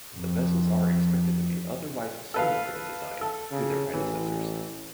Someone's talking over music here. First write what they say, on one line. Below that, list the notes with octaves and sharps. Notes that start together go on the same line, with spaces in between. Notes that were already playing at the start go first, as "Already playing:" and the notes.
The vessels are expected to be otherwise similar in design to their predecessors.
F2
A4 B4 F5
A4
C#3
A1 E3